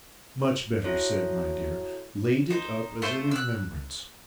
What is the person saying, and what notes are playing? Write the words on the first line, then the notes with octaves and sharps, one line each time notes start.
'Much better said, my dear; laid it up as a remembrance.
E4 F#4 A4 C#5
D#4 C5
A3 F4 C5
E6 F#6